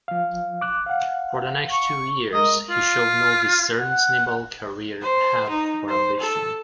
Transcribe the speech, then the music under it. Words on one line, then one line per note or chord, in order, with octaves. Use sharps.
For the next two years he showed no discernible career path or ambition.
F3 F5
D6 F#6
F5 F#5
C#6
G#3 A#4 D#5
F4
F#5
C5
D#4
C5
A4